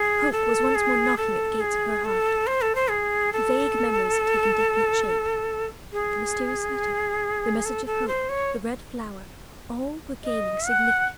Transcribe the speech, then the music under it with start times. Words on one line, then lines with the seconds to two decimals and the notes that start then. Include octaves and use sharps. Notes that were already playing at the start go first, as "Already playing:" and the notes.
Hope was once more knocking at the gates of her heart--vague memories had taken definite shape ... the mysterious letter ... the message of hope ... the red flower ... all were gaining significance.
Already playing: G#4
0.32 A4
0.75 G#4
1.17 A4
1.60 G#4
2.05 A4
2.47 C5
2.62 A4
2.75 C5
2.90 G#4
3.33 A4
5.93 G#4
7.65 A4
7.86 A4
8.08 C5
8.29 C#5
10.24 D#5
10.67 F#5